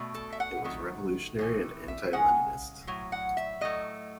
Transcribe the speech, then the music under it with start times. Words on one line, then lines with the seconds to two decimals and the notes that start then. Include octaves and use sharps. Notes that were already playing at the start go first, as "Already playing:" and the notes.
It was revolutionary and anti-Leninist.
Already playing: B2 A3
0.15 A4
0.32 E5
0.40 F#5
0.64 D#3 F#3 A3
1.39 A2 E3 A3
1.88 E5
2.13 C#3 G#3 F#5
2.87 A2 F#3
3.12 F#5
3.37 E5
3.61 A2 F#3 A3 D#5